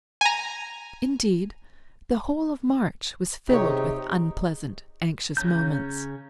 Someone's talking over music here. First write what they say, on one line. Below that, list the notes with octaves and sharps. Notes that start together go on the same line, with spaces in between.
Indeed, the whole of March was filled with unpleasant, anxious moments.
G#5 A#5
C3 D#4 G4 G#4 C#5
C#3 C#4 A#5 G6